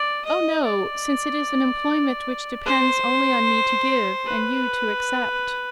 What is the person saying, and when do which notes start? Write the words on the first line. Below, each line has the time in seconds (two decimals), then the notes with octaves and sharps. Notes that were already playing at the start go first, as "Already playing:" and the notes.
"Oh, no; since it is an employment which depends only on me to give, and you to accept."
Already playing: D5
0.25 D#5
0.65 D5
2.66 C5
4.26 B4